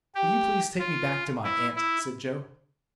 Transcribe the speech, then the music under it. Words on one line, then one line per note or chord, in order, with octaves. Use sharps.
"Will you please take me back to my aunt?" said Joe.
G4
F4
E4
E4